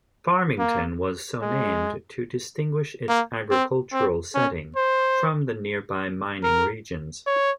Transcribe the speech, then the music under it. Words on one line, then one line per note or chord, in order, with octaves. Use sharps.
Farmington was so named to distinguish its agricultural setting from the nearby mining regions.
A#3
G#3
A#3
C4
C4
C#4
C5
A#4
C#5